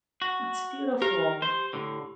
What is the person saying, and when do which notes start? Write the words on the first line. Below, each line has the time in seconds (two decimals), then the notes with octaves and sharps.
That's beautiful.
0.22 F#4
1.02 G4 A#4
1.42 C5
1.73 A2 D3